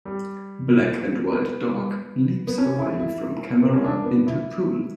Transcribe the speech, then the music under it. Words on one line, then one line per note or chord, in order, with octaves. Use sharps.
Black and white dog leaps away from camera into pool.
G3
B3
B3
C#4
E4
E4
B3
C#4
D4
B3
E4